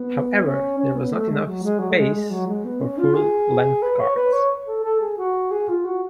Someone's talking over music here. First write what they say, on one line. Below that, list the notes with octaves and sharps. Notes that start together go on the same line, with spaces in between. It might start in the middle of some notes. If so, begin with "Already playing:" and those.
However, there was not enough space for full-length cards.
Already playing: B3
C#4
C#4
B3
A3
G#3
F#3
G#3
F#3
A3
G#3
G#3
F#3
G#3
B3
C#4
F4
G#4
B4
C#5
B4
C#5
A4
A4
G#4
F#4
G#4
F4
F#4